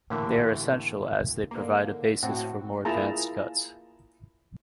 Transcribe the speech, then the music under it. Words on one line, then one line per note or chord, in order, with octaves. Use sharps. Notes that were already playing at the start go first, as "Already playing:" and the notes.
They are essential as they provide a basis for more advanced cuts.
A2 D3 E3 A#3 G4 E5
G#2 D3 A#3
A2 C4 F#4
A#3 E4 F4 G#4 A5 A#5